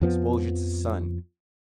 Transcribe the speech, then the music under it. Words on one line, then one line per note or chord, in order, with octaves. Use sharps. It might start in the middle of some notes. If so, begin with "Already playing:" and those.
exposure to sun,
F2 F3 B3